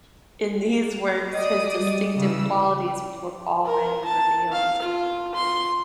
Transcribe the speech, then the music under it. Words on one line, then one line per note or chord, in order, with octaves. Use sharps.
In these works his distinctive qualities were already revealed.
D5 D#5 D#6
G3
C#3 E3 E6
A#4
A5
F5
F4
C6